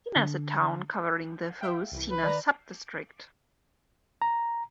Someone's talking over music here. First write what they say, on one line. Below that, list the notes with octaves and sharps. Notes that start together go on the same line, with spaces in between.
Sena is a town covering the whole Sena sub-district.
D3
E5 F5 G5
C2 E3
B4
D#3 D5 A#5
A#5